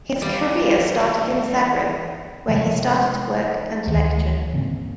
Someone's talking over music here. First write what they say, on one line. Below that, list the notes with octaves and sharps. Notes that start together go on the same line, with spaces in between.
His career started in Zagreb, where he started to work and lecture.
E3 G3 D5 F5
C3 F3 G#3
D2 D#3 E3
G#2 C#3 A#3 C4